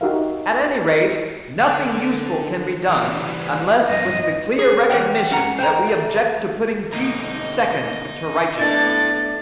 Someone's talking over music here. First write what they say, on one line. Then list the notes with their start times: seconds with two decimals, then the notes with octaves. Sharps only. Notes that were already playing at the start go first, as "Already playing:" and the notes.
At any rate nothing useful can be done unless with the clear recognition that we object to putting peace second to righteousness.
0.01 D#4 F#4 G4 A#4 E5 F5
1.59 D3
2.89 E3 G3
3.89 G2 F3 D#5
4.59 G#4
4.89 E2 G3 A#4 C#5 F#5 G5
5.31 C#4 F#5 A#5
5.59 C5 G5 G#5 A#5
5.87 A3
6.93 D2 B2 D#5 A#5
8.59 A3 B3 D4 E4 A4 A6